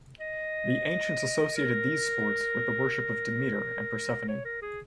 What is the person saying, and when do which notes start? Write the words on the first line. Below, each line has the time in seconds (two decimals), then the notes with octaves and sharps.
The ancients associated these sports with the worship of Demeter and Persephone.
0.20 D#5
1.56 A#4
4.28 C#5
4.45 A#4
4.62 G#4